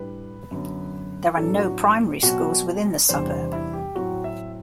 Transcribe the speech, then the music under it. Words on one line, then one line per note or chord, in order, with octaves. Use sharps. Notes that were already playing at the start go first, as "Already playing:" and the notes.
There are no primary schools within the suburb.
Already playing: A2 G3 D4 B4
F#2 D3 F#3 B3
A2 F#3 B3 D4 A4
F#4
B2 F#3 C4 F#4
E2 C3 G3 D4 C5
C5
E4
G4
A2 F#3 C4 F#4
E5